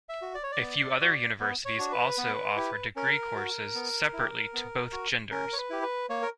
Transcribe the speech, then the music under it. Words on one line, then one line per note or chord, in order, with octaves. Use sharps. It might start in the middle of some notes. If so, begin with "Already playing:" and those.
A few other universities also offer degree courses separately to both genders.
E5
F#4
D5
C#5
D5
B3
F#4
B3
C#5
D4 F#4
B4
B3
E4 G4
C#4 A#4
F#4
B3
E4
G4
B3
F#4
C#4 A#4
C#5
B4
E4 G4
B4
A#3 C#5
A#4